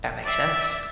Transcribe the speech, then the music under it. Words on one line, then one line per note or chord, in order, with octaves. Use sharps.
That makes sense.
D5 E5